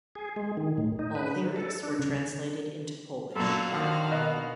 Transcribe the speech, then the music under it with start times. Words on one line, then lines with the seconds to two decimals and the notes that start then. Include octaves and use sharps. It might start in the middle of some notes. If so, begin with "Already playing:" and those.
All lyrics were translated into Polish.
0.15 G#4
0.36 G#3
0.57 D#3
0.78 A2
0.99 D#4
1.15 B4
1.36 F#3
1.56 A4
1.83 D4
1.99 C#3
3.36 F#2 A#2 F#4 A4 F5
3.72 D#2 D3 D#3 F3
4.11 B2 D#4